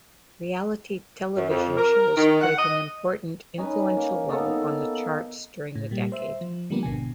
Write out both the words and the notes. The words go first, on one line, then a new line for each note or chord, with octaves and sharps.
Reality television shows played an important, influential role on the charts during the decade.
F#2
F2
A#4
D#3
F#5
D#5
C#4 D#4 A#4 B4
A#3
A#3 B3 D#4 A4
A2
A#2 G3
C5 E5
F3
D3 F3 G3 A#3 B3 D4
G#1 B2 D3 G#5